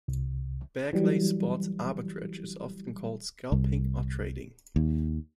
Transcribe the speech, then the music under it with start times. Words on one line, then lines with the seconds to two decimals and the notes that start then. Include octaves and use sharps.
Back-lay sports arbitrage is often called "scalping" or "trading".
0.08 C2
0.93 E3 F#3 G3
3.52 C2
4.76 D#2